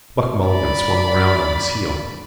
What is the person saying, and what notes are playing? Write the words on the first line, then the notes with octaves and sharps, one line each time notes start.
Buck Mulligan swung round on his heel.
D5 B5